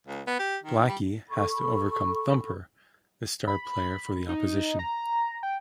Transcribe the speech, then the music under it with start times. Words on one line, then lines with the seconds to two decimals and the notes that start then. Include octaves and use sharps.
Blacky has to overcome Thumper, the star player for the opposition.
0.07 C#2
0.27 B3
0.39 G4
0.63 D#3
0.88 G3
1.29 A4 B5 C#6
3.47 B5
4.29 D#4
4.79 A#5
5.43 G5